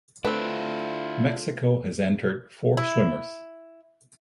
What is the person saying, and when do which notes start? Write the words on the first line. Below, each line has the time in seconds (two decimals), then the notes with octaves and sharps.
Mexico has entered four swimmers.
0.25 D3 A3 C4 D4 E4 F4 B4
2.77 E4